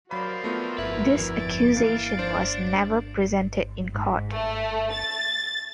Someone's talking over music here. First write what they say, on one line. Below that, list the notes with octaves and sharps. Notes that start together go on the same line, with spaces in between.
This accusation was never presented in court.
F#3 F#4 A#4 C5 D5 F5 B5
A3 B3 F4
F2 E4 B4 E5
A6 D7
E3 A#3 F5
D4 C5
G#2
A3
A6